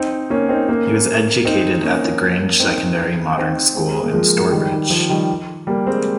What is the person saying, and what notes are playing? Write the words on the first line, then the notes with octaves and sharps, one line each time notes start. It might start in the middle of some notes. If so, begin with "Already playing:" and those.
He was educated at the Grange Secondary Modern School in Stourbridge.
Already playing: C4 D#4
A#3 C#4
C4 D#4
A#3 C#4
C4 D#4
A#3 C#4
C4 D#4
C4 D#4
G#3 C4
G#3
A#3
F3 G#3
D#3 G3
D#3
F3
D#3 G3
G3 A#3
G#3 C4